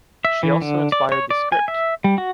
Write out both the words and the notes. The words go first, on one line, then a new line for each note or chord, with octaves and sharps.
She also inspired the script.
E5
E3
D3
D5
C#5
D5
G#5
E5
G3
F#4